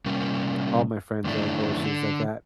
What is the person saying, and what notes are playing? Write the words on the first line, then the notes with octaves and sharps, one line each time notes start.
all my friends ride horses. I got,
C3 G3 A#3 C#4
F#2 D3 D#3 A3 D4 E4
D3